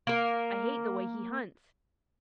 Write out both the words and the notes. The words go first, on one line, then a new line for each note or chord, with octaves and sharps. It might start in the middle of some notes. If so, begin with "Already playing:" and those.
I hate the way he hunts!
A#3 A#4